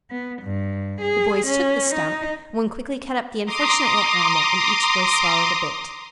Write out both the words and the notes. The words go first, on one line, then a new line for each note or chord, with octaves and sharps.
The boys took the "stump," one quickly cut up the unfortunate little animal and each boy swallowed a bit.
B3
G2
G#4
C#4
D#4
A#5 C6 D6 D#6